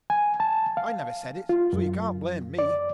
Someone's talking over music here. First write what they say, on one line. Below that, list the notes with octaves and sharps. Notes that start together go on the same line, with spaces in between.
"I never said it--so you can't blame me."
G#5
A5
F5
F4
F#2
D5